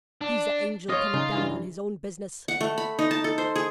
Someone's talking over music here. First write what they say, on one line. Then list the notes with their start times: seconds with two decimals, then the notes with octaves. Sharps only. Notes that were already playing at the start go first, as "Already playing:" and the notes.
He's a angel come down on his own business.
0.21 D4
0.89 F4 C#5 D#5
1.14 C#3 D#4
1.34 G2 E3
2.48 F#5
2.61 A3
2.78 B5
2.99 D#4
3.11 A5
3.24 A4
3.38 C5
3.56 G#4